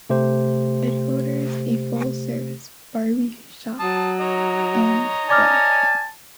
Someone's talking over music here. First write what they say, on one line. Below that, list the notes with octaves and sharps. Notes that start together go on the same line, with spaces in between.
Headquarters, a full-service barber shop, and Go!
C3 A3 G4 C5
F#3 A5 D#6
C#5 D#5 A#5
D5 G#5 A5 D6 F6